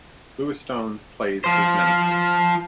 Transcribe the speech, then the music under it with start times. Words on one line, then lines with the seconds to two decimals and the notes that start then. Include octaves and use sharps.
Lewis Stone plays his nemesis.
1.44 F3 C5